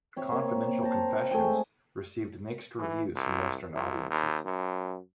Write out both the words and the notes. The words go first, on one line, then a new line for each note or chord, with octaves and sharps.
"Confidential Confessions" received mixed reviews from Western audiences.
C4 C#5 E5
A#3
C5 A5 A#5
A3 G#4 G5
G#3
E3
C2
C2
D#2
F#2